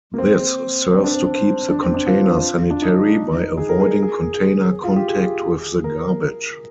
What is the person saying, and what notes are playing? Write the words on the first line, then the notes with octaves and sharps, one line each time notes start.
This serves to keep the container sanitary by avoiding container contact with the garbage.
A#3
C4
C4
D4
C4
D4
C4
D4
C4
D4
F4
D4
D#4
G#4
A#4
G#4
A#4
G#4
G#4
F4
G4
G#4
A#4